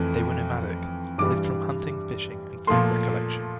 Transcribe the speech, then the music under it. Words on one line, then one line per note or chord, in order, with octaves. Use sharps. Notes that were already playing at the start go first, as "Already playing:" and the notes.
They were nomadic, lived from hunting, fishing and fruit recollection.
Already playing: F2 E3 A3
G2 E3 G3 D6
A#2 F3 A3 C6